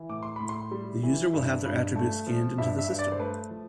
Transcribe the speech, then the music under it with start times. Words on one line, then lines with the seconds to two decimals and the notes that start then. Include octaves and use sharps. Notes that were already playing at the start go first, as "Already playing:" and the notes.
The user will have their attribute scanned into the system.
Already playing: E3
0.09 A2 D6
0.23 C6
0.36 A2 B5
0.49 C6
0.71 G3
1.03 E3
1.34 G2
1.65 G2
1.96 A3
2.27 F3
2.58 G2 E5
2.79 E5
2.89 G2
2.99 D5
3.12 C5
3.19 A3 B4
3.51 F3